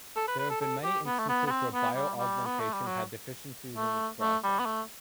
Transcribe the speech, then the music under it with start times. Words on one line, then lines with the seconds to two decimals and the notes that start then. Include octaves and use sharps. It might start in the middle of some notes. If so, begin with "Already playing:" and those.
There have been many instances where bioaugmentation had deficiencies in its process.
0.16 A4
0.28 B4
0.39 B4
0.50 A4
0.61 A4
0.84 G4
1.06 B3
1.19 A3
1.29 B3
1.47 B3
1.51 C4
1.73 B3
1.96 G3
2.19 G3
2.46 B3
2.60 A3
2.73 G3
2.86 F#3
3.76 A3
4.21 A3
4.43 G3
4.59 B3
4.66 A3